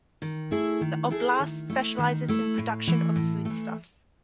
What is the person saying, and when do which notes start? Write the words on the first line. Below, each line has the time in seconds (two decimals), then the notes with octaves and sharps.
The oblast specializes in production of foodstuffs.
0.22 D#3
0.51 A3 E4 G#4
0.81 D#3
1.11 A3 E4 G#4
1.40 D#3
1.70 A3 E4
1.98 D#3
2.28 A3 E4
2.58 A2
2.87 E3 A3
3.16 A2
3.45 E3 A3